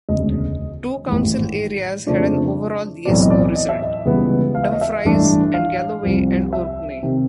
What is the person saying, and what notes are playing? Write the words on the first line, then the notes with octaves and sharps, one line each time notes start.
Two council areas had an overall "Yes-No" result - Dumfries and Galloway and Orkney.
E1 D2 C#3 D#5
A1 G#2 D#3
F2 C#3 F3 A3 D4 D5
B1 A2 E3 A3 C4 D5
D#5
D5
D#5
E5
D#5
C#2 C#3 E3 G3 B3
F5
E5
D#5
E5
A1 G2 E3 A3 D4
F5
C2 C3 F3
E5
C3 D#3